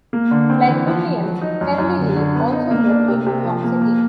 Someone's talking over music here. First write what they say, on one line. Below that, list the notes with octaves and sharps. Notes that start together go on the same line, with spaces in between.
Like Williams, Herlihy also lived in New York City.
A#3
D3
C4
E3
F3
F3
F#3
D#4
F#2
F#2
D3
D3
B3
D#4
A#3
D4
C3
C3
F3
A#3
A#3